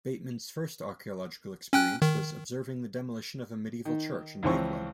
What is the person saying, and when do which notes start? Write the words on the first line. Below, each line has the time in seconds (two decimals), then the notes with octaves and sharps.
Bateman's first archaeological experience was observing the demolition of a medieval church in Bakewell.
1.73 C#4 G5 F#6
2.02 D#3
3.85 D#3
4.43 C#2 E3 F3 C4 C#6